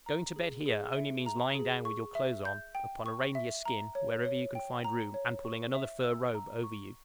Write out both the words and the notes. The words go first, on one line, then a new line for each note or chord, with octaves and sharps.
Going to bed here, only means lying down with your clothes on, upon a reindeer skin, wherever you can find room, and pulling another fur-robe over you.
A#5
G#4
G#4
E5
A#5
G#4
C#6
E5
G6
G5
C#6
E5
A#5
C#5
C#5
G5
A#5
C#5
C#6
E5
E6
A#5
C#6